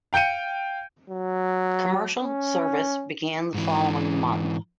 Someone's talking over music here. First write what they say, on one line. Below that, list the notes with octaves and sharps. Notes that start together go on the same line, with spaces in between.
Commercial service began the following month.
F5 G5 G6 C#7 D#7
F#3
C#4
G#2 E3